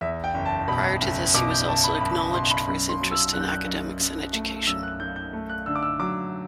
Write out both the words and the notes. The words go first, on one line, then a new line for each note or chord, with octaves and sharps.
Prior to this, he was also acknowledged for his interest in academics and education.
E2 E5
G5
F#1
A5
B2 B5
F#1
B2 D6
G6
F#1 A5
B5
F#1 B5
B2 C6
B5
F#2 B5
C6
F#3
E6
F#2 F#6
G6
F#6
F#2
F#2
A3
F#2 E6
F#6
F#2 G6
G6
A3
F#6
D3 E6
D6
E6
F#3 D6